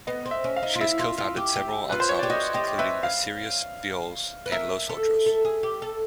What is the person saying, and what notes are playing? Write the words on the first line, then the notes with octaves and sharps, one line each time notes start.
She has co-founded several ensembles, including the Sirius Viols and Los Otros.
B3 D#5
C4
E5
C#4
F5
D#4
F4
E4 E5
F4
F4
G4
G4
F4 B4
C5
C#5
G4 D5
F#4 D#5
G4 D#5
B4 E5
F5
B4
A#4 E5
A4
A4
G#4
G4
A4